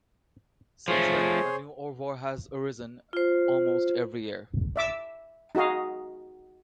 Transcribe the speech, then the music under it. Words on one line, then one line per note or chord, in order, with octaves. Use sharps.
Since then, a new ouvroir has arisen almost every year.
F3 A3 G#4 C5 C#5
F4 C5
D5 E5 D6 E6
D#4 F#4 G#4 D#5 F5